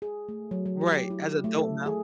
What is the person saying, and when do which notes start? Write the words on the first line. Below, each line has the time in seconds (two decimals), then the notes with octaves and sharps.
Right, as a adult now
0.02 G#4
0.29 A3
0.51 F#3
0.66 F#3
0.81 G4
1.10 E4
1.44 A3
1.59 A4
1.86 G#4